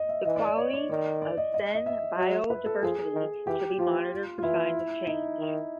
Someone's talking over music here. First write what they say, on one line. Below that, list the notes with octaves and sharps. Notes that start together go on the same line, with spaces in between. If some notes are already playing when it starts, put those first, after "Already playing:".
The quality of fen biodiversity should be monitored for signs of change.
Already playing: D#5
E5
E3 D#5
D5
D5
C#5
D5
D#3 D5
D5
D#5
D#5
D#5
E5
F#3
B4
A4
F3 G#4
D#3
E3 G4
F3 F4
F4
E3 E4
D#4
D#3